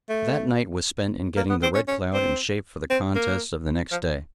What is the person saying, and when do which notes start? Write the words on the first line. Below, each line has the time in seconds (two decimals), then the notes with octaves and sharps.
That night was spent in getting the Red Cloud in shape for the contests of the next day.
0.09 A3
1.37 A#3
1.50 B3
1.63 C4
1.75 C#4
1.88 C#4
2.13 C4
2.90 C4
3.15 A#3
3.92 F3